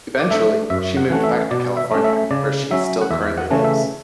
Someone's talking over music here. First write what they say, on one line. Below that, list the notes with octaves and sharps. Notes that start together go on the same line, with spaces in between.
Eventually, she moved back to California, where she still currently lives.
D5
A3 D4 E5
F#2 E5
F#5
E3 A3 C#4 F#5
E5
B2 D5
E5
A3 C#4
E5
C#3 D5
F#3 C#4 E5
F#5
E2 E5
F#5
C#3 E3 A3 C#4
E5